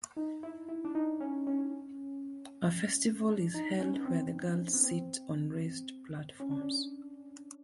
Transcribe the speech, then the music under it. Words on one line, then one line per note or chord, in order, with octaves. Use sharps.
A festival is held where the girls sit on raised platforms.
D#4
E4
E4
D4
D#4
C#4
C#4
D4
D#4
C#4
B3
C4
B3
C4
C#4
D4
C#4